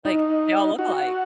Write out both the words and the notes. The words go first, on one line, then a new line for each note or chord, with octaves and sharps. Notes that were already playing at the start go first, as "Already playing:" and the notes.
Like, they all look alike.
D#4
F#4